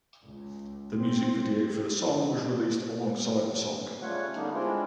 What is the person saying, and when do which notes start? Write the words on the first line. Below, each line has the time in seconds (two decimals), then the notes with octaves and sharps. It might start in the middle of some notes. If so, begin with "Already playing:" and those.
The music video for the song was released alongside the song.
0.24 C#2
0.95 C4
4.02 C#3 G3 A3 F4 C#5 F#5
4.35 D3 G3 A#3 B3 D4 D#4
4.53 G#3 C4 D4 E4 F4